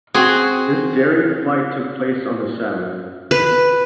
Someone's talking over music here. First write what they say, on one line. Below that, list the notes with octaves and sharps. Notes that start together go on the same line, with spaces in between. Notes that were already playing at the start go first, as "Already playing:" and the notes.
This daring flight took place on the Sabbath.
C4 F#4 G#4
B4